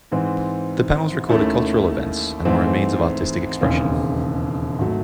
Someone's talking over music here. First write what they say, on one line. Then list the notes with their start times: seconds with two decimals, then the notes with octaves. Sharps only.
The panels recorded cultural events and were a means of artistic expression.
0.12 G#2 E3 C4
1.29 D#2 D#3 A3 C#4 E4
2.45 G#2 E3 A3 C4
3.61 E1 D#2 C#3 E3 C4
4.79 G#1 F#3 A3